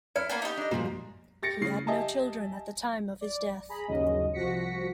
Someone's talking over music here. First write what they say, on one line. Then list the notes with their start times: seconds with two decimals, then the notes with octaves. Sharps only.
He had no children at the time of his death.
0.16 E4 D5 F6 C#7
0.30 A#3 B3 G#5
0.42 D#4 G4
0.57 D4 D#5
0.71 G2 A#2 F3 G#3 A#3
1.42 G4 A6 A#6 C#7
1.61 A2 C#3 C7
1.87 G4 D#5 E5 G#5 A5
3.21 D5
3.69 G#4 A#5 B5
3.88 G1 D#2 C#3 F#3 G#3 D#5
4.33 C2 F3 F#4 A#6 B6 C#7